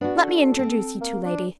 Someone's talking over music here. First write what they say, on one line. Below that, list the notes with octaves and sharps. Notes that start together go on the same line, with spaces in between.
Let me introduce you two ladies.
B3 D4 F#4
A4
C4
A#3
D4